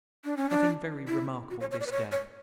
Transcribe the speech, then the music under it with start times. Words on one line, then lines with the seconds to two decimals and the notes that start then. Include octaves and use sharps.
Nothing very remarkable this day.
0.25 D4
0.37 C#4
0.50 D4
1.08 E4
1.50 F#4
1.60 C#5
1.71 C#5
1.81 D5
1.86 B4
1.91 C#5
2.12 C#5